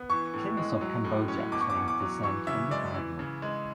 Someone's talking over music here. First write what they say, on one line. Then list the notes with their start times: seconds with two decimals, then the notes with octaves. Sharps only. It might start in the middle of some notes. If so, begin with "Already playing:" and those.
Kings of Cambodia claim descent from the gardener.
Already playing: B3
0.10 E3 C#6
0.34 A2
0.57 G#3
0.81 F#3
1.04 A2
1.28 C#4
1.52 B2 D6
1.61 C#6
1.70 D6
1.76 E2
1.88 D6
2.00 F#3
2.23 E3 C#6
2.47 C#3 E5
2.71 G#3 D5
2.95 E3
3.19 C#3
3.42 G#3